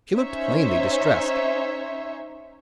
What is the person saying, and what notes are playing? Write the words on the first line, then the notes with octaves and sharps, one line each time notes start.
She looked plainly distressed.
C#4 D#4 C5 C#5 E5